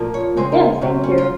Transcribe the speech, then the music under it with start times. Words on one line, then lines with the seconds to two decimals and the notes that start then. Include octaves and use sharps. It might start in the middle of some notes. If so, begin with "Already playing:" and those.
Yeah, thank you.
Already playing: A#2 F3 A#3
0.14 C#5
0.37 C#3 G#3 C4 C5
0.52 A#4
0.81 C#3 F#3 C4
1.04 C#4
1.18 F4